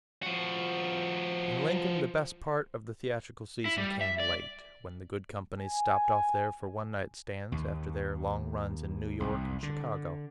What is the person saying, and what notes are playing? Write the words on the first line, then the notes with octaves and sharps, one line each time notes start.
IN Lincoln the best part of the theatrical season came late, when the good companies stopped off there for one-night stands, after their long runs in New York and Chicago.
F3 F#4
E4
G3
E5
D5
G#5
D#2
C2
D3